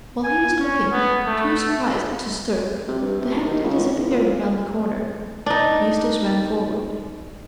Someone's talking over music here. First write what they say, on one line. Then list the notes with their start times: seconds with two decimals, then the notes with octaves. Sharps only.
While he was looking, too surprised to stir, the hand disappeared round the corner Eustace ran forward.
0.24 G#5
0.60 C#4
0.92 B3
1.26 A3
2.88 C3
3.02 G2
3.21 C3
3.34 F#1
3.47 D#3
3.64 C#2
3.79 G#1
3.97 E2
4.11 A#2
4.25 F2
5.46 D4 D#4